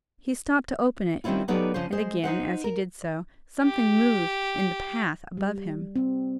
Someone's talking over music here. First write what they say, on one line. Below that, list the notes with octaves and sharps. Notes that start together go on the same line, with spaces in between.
He stopped to open it, and again, as he did so, something moved in the path above him.
D#3 G3 C4 C#4 E4 F4
F#3 B3 D#4 G4 A4 D5
C#3 F3 C#4 C5
G#3 C5
D#4 C5 F#5
A#4
G4
G3
C4